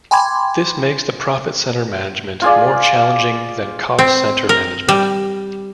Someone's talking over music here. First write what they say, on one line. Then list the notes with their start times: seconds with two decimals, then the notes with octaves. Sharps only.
This makes the profit center management more challenging than cost center management.
0.11 G5 G#5 B5 C6 D6 G#6
2.42 F4 G#4 D5
3.99 C4
4.49 A#4
4.89 G3